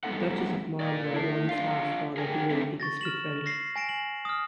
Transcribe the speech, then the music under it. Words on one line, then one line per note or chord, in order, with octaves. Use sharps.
The Duchess of Marlborough once asked Father Healy if he could speak French.
G3 G#3 B3 D#4 A4 F#5
A#2 A#4 D5
E4 A5
D4 F4 F5
G#4 A#4 G5 G#5
A3 C4 D4 G#4 B4
C#6 A6 A#6
F6 E7 F#7
A#6 C7
G#5 A#6 D7 E7
F#7
D#6 F6